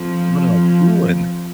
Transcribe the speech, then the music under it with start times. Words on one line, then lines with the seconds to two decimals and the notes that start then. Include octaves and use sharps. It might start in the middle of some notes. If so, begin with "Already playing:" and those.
"What am I doing?"
Already playing: F2 F3